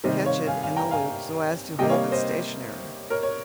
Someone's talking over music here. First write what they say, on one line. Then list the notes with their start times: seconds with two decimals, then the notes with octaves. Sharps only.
Catch it in the loop, so as to hold it stationary.
0.04 C3 D#3 G3 C5 D#5
0.26 C#5 F5
0.47 F5 G#5
0.62 F5 G#5
0.76 G5 A#5
0.91 F5 G#5
1.79 C3 G3 A#3 D#5 G5
1.90 C#5 F5
2.12 C5 D#5
3.10 A#4 C#5
3.23 C#5